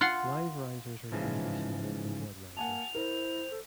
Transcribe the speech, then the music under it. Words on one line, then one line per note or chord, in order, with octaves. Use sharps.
Live risers are usually smaller than dead risers.
F4 F#5 C6
G#2 C#3 E3 F3
A#3 F#5 G#5 A5 F7
E4 A#4 C5
A4